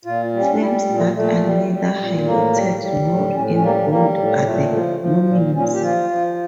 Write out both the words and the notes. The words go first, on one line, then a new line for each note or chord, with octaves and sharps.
Films that are neither highlighted nor in bold are the nominees.
A#2 F4
G3
C#4
D4
G3 E4
A#2
A3
A#2 A3
G3
G3
A#2
A2 A#3
G3
G3
A2
A2 C#4
C#4
G3 A#3
G3 A#3
A2
A#2 A3
F3
F3
A#2
A#2 C#4
G4
F3 F4
F3